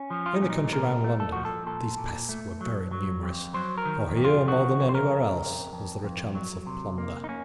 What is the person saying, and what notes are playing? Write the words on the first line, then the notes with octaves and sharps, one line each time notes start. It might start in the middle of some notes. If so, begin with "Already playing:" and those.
In the country round London these pests were very numerous, for here, more than anywhere else, was there a chance of plunder.
Already playing: C#4
F3
F4
D#4
A#2 C#4
D#4
A#2 A#4
A3
A4
F3 F#4
A4
A#2 A4
A#2
A3
F#3
F#3
F2
F#3 C5
A#4
D#3
F2
F4
D#3 F#4
F2
C5
A#4
F2
F2
F2
F2
F#3
C3
A#3
D#4
A#3 C#4